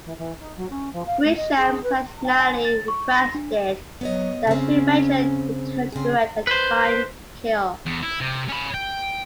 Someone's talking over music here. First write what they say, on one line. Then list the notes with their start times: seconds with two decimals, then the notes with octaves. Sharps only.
Grisham personally requested that Schumacher return to direct "A Time to Kill".
0.05 E3
0.18 E3
0.39 D#4
0.56 F#3
0.70 C#4
0.92 F3
1.06 F5
1.23 A3
1.36 D#5
1.56 G#4
1.83 B4
2.25 G5
2.40 G#5
2.65 A6
2.88 C#6
3.15 A#6
3.35 D4
4.01 F#3 B3 C#5 D#5
4.47 C#3 C4 C#4
5.92 C#3 C4 G#4
6.47 B4 C5
7.86 E2
8.03 E4
8.21 C3
8.49 C#4 B5
8.74 G5